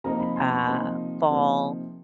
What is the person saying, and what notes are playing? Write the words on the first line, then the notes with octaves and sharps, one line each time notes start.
uh, fall,
C3 F3 A#3 D#4 A#5
B5
C6
C#6
C6
C3 F3 A#3 D#4 B5
C6
C3 F3 A#3 D#4